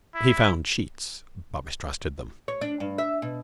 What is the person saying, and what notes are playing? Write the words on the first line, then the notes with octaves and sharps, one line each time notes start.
He found sheets, but mistrusted them.
E4
C#5
D4
G2
E5
B2